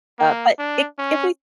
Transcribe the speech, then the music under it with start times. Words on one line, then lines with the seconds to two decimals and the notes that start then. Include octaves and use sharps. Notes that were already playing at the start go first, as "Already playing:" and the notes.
uh, but it if we
0.19 A#3
0.59 D4
0.98 C#4